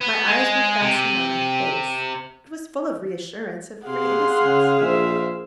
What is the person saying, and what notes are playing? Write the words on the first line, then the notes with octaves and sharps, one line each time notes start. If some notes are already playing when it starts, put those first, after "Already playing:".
My eyes were fastened on her face: it was full of reassurance, of free innocence.
B3
G#3
C3
C3 G#4 F5 F#5 C6
C#3
A#1 C5 E5